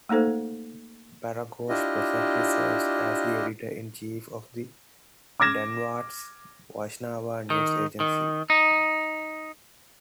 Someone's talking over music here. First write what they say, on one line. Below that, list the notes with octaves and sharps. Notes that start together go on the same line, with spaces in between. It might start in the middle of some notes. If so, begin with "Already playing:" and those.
Praghosh presently serves as the editor in chief of the Dandavats Vaishnava news agency.
A3 A#3 D#4 A4 C5
D4 E4 F4 G4 D#5
D6 F6 G#6 A#6 E7
D#3
D#3
D#4